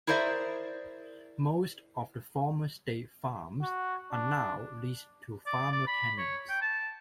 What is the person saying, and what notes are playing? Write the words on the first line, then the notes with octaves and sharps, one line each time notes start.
Most of the former state farms are now leased to farmer tenants.
E4 G#4 A#4 C5 D5 E5
F#4
D4
D5
D5
B5
C#5
G5
A5